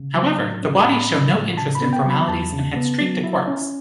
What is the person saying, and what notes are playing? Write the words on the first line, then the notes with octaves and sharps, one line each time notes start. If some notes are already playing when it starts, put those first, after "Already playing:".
However, the Wadi show no interest in formalities and head straight to Quark's.
Already playing: C#3
F#3
A2
C#4
A2 B5
F#3
A2
C#3 A5
B5
B3
G5
F#3 B5
E2 A5
C#3
B3
F#3
E4
C#4